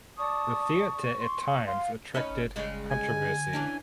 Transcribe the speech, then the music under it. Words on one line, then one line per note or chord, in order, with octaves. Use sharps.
The theater at times attracted controversy.
D5 A5 C#6 D#6
C6
F5 C6
C#4 D#4 B4
G1
C#3 G3 G#3
G#5
D3
E3 C#4 D4